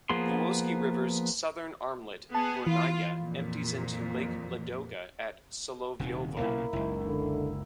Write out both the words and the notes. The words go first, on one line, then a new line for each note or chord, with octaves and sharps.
Vuoksi River's southern armlet Burnaya empties into Lake Ladoga at Solovyovo.
F3 A#3 B3 G#4 C6
B3 G#4 A5
E3 F4
F2 A#2
D#1 C3 D#3
B1 A#2 C#3 A#3 E4
F#1 C#2 D#4 E4
D3